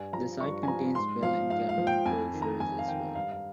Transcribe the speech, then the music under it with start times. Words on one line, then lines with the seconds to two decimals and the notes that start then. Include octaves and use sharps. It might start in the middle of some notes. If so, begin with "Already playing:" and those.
The site contains wells and cattle enclosures as well.
Already playing: G2 G#5
0.13 F3 A#5
0.40 G2 C#6
0.63 G#5
0.68 F3 A#5
0.95 G#2 C6
1.23 F3 F5
1.50 G#2 F5
1.69 F5
1.78 F3
1.87 G5
2.05 F2 G#5
2.33 D#3
2.42 A#5
2.60 F2 G#5
2.79 F5
2.88 D#3 G5
3.15 G2 F5
3.32 F5